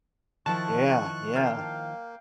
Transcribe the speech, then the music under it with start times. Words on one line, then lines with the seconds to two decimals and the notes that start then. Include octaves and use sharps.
Yeah, yeah,
0.46 D#3 F3 E4 A5 C#6 F#6
1.36 A#3 F5 G5